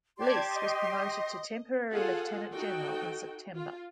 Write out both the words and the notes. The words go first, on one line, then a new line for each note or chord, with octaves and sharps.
Leese was promoted to temporary lieutenant general in September.
G4 D5 A5 C6 G#6
D#5
F4 G#4 A4 F5 F#5
D#4 F#4 A4 G5
F4